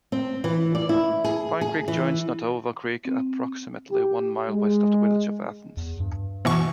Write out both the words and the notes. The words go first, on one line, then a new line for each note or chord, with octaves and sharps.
Pine Creek joins Nottowa Creek approximately one mile west of the village of Athens.
C4
E3
D5
E4
G#4
G#4
E3
C4
G4
G#3
E2
G2
B2 E3 C#6